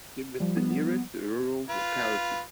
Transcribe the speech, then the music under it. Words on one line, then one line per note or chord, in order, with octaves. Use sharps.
Kim is the nearest rural locality.
F3 G3
B3
F4 B4